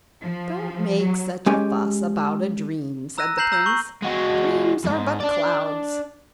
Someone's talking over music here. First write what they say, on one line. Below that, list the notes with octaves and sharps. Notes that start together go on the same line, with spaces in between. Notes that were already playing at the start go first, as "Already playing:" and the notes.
'Don't make such a fuss about a dream,' said the prince; 'dreams are but clouds.
F3
F#3
G#3 C#4 G4 G#5
A#5 E6 F#6 A#6 D#7
A#5 G6 C7 F#7
A#5 E6 G6
C#6 F#7
G#3 F#4
F2 G#2
D4 D5